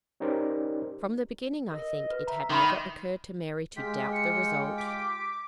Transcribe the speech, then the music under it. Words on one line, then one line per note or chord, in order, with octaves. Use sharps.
From the beginning, I think, it had never occurred to Mary to doubt the result.
C#4 D#4 G4 A#4 C5 D5
A#4 D#5
B4
E5 A#5
D#3 B5 C6 D6
G#3 F4 G4 G5 B6
C#7
D6 B6